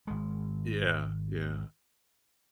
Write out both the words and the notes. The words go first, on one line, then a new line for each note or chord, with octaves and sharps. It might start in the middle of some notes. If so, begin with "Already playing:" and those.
Yeah, yeah.
G#1 G#3